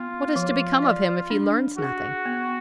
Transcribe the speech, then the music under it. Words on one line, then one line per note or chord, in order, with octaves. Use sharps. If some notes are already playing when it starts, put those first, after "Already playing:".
"What is to become of him if he learns nothing?"
Already playing: B3 F4
F3
D5
D4
F#4 G#4
B3